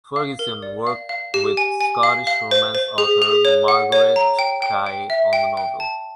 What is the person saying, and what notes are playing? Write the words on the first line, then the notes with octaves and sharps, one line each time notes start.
Ferguson worked with Scottish romance author Marguerite Kaye on the novel.
F5
A#4
D5
F5
F5
G4
G#5
G#5
F5
F5
C5
C5
G#4
G#4
C#5
F#5
C#5
A#5
G5
G5
G5
E5
G5
G5
A5